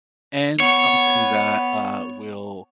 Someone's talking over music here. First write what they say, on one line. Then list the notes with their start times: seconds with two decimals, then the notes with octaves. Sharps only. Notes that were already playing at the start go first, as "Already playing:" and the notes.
and something that, uh, will
0.60 B3 C#5